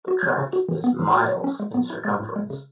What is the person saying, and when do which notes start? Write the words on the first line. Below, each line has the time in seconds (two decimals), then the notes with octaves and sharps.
The track is miles in circumference.
0.08 F#4
0.23 F#3
0.38 C#3
0.53 F#4
0.69 E3
0.84 B3
0.99 E3
1.14 F#4
1.29 C#5
1.44 C#4
1.60 G#3
1.74 B3
1.90 E4
2.05 G#3
2.20 A2
2.36 G#3
2.50 C#3